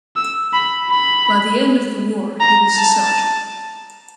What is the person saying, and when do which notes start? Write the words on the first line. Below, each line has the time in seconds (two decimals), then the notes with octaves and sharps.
By the end of the war, he was a Sergeant.
0.16 E6
0.53 B5
0.90 B5
2.40 A#5
2.77 A5